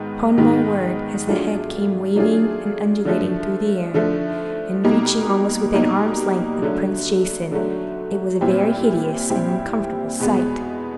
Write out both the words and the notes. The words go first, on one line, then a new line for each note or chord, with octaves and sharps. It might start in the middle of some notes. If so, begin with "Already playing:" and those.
Upon my word, as the head came waving and undulating through the air, and reaching almost within arm's length of Prince Jason, it was a very hideous and uncomfortable sight.
Already playing: G#2 D#3 G#3 B3 D#4
G#2 D#3 G#3 B3 D#4
F#3 A3 D4 F4 G#4
F#3 A3 D4 F4 G#4
D3 F3 A3
D3 F3 A3
B2 G3 A#3 D#4
B2 G3 A#3 D#4
D3 F#3 A3
D3 F#3 A3
A#2 G3 C4 E4 G4
A#2 G3 C4 E4 G4
E2 B2 G#3 B3